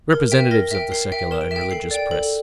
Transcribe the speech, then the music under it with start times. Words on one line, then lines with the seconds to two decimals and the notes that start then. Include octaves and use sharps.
Representatives of the secular and religious press!
0.12 A#4
0.32 E5 G5
0.51 A#4 A#6
0.71 E5 G5
0.92 A#4 C7
1.12 E5 G5
1.31 A#4 E7
1.41 D7
1.51 E5 E7
1.56 G5
1.61 D7
1.71 A4 C7
1.91 D5 G5
2.11 A4